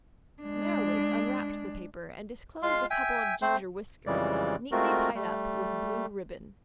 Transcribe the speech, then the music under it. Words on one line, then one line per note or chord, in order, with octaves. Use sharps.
Merriwig unwrapped the paper, and disclosed a couple of ginger whiskers, neatly tied up with blue ribbon.
G#3 D4
G#3 F4 F5 C6
E5 G5 G#5
A3 C4 C5
F2 C#3 E3 G3 G#3 D5
G#3 A3 C4 F4 F#4 A#4
G3 A3